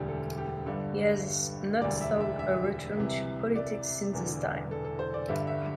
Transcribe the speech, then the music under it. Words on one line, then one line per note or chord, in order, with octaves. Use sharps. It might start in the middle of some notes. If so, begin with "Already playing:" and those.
He has not sought a return to politics since this time.
Already playing: E1 D2 D3 G3 G4
A4
G4
G1 G2 D3 G3 A4
E1 D2 D3 G3 D5
E5
E5
E5
C2 C3 E3
D5
E1 E2 D3
A4
A4
C5
D5
G1 G2 D3 G3 E5
E5